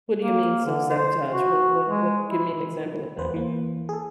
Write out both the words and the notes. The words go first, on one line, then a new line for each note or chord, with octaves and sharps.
What do you mean self-sabotage? What what what Give me an example of that.
A#3
D3
C5
F#4
G#3
E4
E2 B4 C5
E3 A#3
G#4 A4